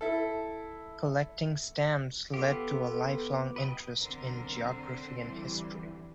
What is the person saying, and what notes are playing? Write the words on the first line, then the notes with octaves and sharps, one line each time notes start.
Collecting stamps led to a lifelong interest in geography and history.
E4 A4
B3 F4 G4 A4
B4 D#5 G5
B1 D3 C4 A#4
E3 G3